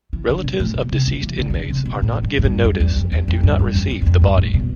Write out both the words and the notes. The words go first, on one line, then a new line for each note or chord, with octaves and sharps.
Relatives of deceased inmates are not given notice and do not receive the body.
E3
D3
B2
A2
B2
C3
E3
E3
D3
E3
D3
C3
B2
A2
G2
A2
G2
F2
E2
F2
E2
F2
G2
G2
F2
G2
G2
F2
G2
A2
B2